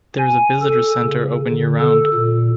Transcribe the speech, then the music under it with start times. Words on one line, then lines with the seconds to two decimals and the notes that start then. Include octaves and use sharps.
There is a visitor center open year-round.
0.18 G#5
0.62 A4
1.00 C#3
1.48 D3
1.80 A4
2.14 A#2